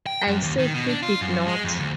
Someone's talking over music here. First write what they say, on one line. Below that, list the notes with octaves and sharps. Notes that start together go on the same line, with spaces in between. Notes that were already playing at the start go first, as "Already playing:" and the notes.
I said he did not.
G5
F#2
D#2
D#3
B2
D4
F4
F#2
G#3
F2
D2